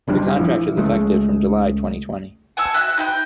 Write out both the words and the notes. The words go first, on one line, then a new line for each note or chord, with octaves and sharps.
The contract is effective from July twenty twenty.
F#1 F2 G3 D4
A#1 E3 F3
C#2 G#3 A3
F#5 G#5 A5 E6
F#4 E5 G#5 F#6
D#4 G5 B5